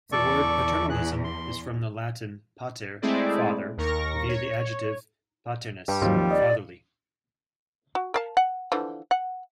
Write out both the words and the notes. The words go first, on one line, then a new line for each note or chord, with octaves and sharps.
The word paternalism is from the Latin "pater" "father" via the adjective "paternus" "fatherly".
E2 A4 D5 C#6
G#4 F#6
C6
G#3 A3 C4 E4 G#4 D5
D#2 A#4 C#6 A#6
C#5
G2 G3
D#2 G#2 F#3 C4 F4
F3
D5 D#5
F#4
A#4 F5 A5
F#5
D3 E3 F3
F#5